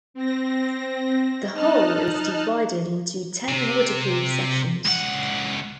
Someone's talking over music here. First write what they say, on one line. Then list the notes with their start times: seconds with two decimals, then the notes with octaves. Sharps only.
The hull is divided into ten waterproof sections.
0.14 C4 A#6
1.52 D#4 D#5 A5 F6 F#6
3.48 C3
4.86 C#2 F#5